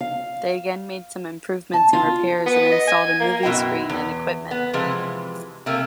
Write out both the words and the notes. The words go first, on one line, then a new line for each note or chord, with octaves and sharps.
They again made some improvements and repairs and installed a movie screen and equipment.
F5
A5
F4
B3
D#5
G#5
A#3
F#2 B2 E4 D#5 G5
E2
B3
C3 E3 F3 G#3
C3 A3 A#3